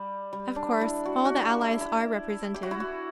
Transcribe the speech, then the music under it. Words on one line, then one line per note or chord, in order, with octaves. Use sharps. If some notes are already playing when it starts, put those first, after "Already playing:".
Of course, all the allies are represented.
Already playing: G3
G3
D4
E4
F#4
F#4
F#4
G4
E4
E4
G4
F#4
E4
F#4